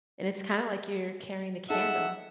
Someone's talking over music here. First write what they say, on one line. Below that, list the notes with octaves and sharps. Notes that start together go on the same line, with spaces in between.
and it's kinda, like, you're carrying the candle,
D#4 G#4 A4 E5 F#5